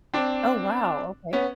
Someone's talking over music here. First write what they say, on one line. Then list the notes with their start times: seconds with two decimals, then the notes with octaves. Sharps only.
Oh, wow, okay.
0.14 C4 D4
1.33 B3 C#4